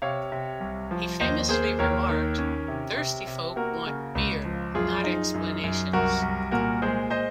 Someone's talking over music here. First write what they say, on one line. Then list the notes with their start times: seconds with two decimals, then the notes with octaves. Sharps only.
He famously remarked, Thirsty folk want beer, not explanations.
0.02 C3 C#5 F5
0.32 C3
0.60 C2
0.91 F3
1.21 D#2 C5 D#5
1.49 A#3 G#4 C5
1.79 D#2 A#4 C#5
2.09 D#3
2.38 C#4
2.68 C3
2.97 C3
3.27 C3
3.56 A#3 F#4 A#4
3.86 C#3
4.15 C#2
4.45 F3
4.74 F#2 F4 G#4
5.04 D#4
5.34 F#2
5.64 F#2
5.93 C2 F#4 A#4
6.22 C2
6.51 A#2 F#4 A#4
6.82 G#3 G#4 C5
7.10 C5 D#5